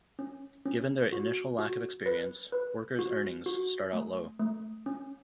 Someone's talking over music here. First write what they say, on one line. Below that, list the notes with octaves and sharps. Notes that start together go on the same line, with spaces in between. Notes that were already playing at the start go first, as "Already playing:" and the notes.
Given their initial lack of experience, workers' earnings start out low.
C#4
C#4
F#4
F#4
B4
B4
F#4
F#4
A3
A3
C#4